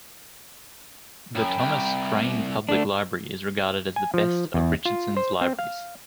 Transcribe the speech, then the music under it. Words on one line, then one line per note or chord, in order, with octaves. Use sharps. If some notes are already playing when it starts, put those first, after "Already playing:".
The Thomas Crane Public Library is regarded as the best of Richardson's libraries.
F#2 G5 A#5 B5
C2
A3 D4 A4
G#5
F3
E2
F4
C5
C4
F5